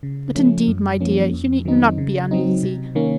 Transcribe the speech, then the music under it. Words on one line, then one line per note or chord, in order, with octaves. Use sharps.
But indeed, my dear, you need not be uneasy.
C#3
F3 A3 C#4
F#2
F3 A#3 C#4
F2
D#3 F#3 C4 D#4
C#3
F#3 C4 D#4
C3
D#3 A#3 C#4